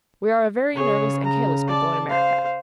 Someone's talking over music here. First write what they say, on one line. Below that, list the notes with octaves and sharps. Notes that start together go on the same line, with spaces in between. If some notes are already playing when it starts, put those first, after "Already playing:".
We are a very nervous and careless people in America.
C#3 G#4 C#5
A#5
D5 A5
C5 F5